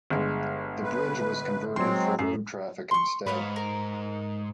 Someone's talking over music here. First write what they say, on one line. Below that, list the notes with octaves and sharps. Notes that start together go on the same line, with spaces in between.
The bridge was converted for road traffic instead.
G1 G#3
B4
F#3 G#3 C4 C6
F#2 C7
C6 C#6
G#2 B4 C#5 F5
A#4